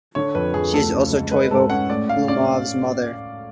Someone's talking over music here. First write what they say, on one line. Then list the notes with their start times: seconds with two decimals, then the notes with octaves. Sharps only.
She is also Toivo Glumov's mother.
0.15 D3 C#5
0.35 F2 B4
0.54 F2 G#4
0.73 D2 A4
0.93 C#3
1.12 G#3
1.31 G#3 B4
1.51 G#2 A4
1.70 C#4 F#5
1.90 A2 D5
2.09 A2 F5
2.28 C#4 D5